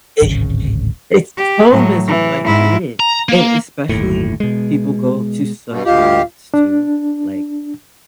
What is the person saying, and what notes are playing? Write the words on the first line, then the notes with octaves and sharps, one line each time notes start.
Exactly, it's so miserable! I hate it, and especially people go to such lengths, too, like,
D1 G#1 C#3
G4
A2 F#3
E3
G#2 E4
A#5
A#3
G1 D#2 A2
B2 G#3
G2 B2
D2 F4 G4 D#5 F5
D4